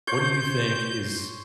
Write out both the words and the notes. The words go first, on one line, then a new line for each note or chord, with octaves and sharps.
what do you think is
C5 C#5 G6